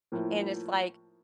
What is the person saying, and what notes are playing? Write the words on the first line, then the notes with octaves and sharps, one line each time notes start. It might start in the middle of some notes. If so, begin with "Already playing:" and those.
and it's, like,
A2 F3 A#3